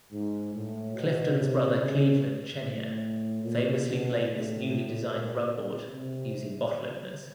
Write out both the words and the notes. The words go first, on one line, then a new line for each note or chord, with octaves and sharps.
Clifton's brother Cleveland Chenier famously played this newly designed rubboard using bottle openers.
G#2
A2
B2
C3
C#3
A2
A#2
B2
A2
A#2
C3